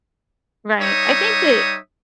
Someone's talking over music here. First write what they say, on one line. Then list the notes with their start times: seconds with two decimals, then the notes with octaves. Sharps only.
Right, I think that
0.80 G3 D#4 C#5 E5 D#6